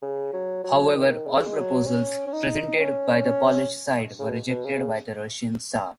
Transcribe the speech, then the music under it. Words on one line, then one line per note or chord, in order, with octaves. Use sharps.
However all proposals presented by the Polish side were rejected by the Russian tsar.
C#3
F#3
F#3
D#3
C#3
G#3
F#3
C#4
C#4
D#4
C#4
C#4
C#3
B2
B2
C#3